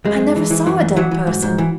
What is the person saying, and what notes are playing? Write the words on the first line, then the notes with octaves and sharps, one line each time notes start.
'I never saw a dead person.
F#2 G#3
F#2
E3
E3
F#2 E3
F#2
E3 F#3
E3
G#2
G#2
E3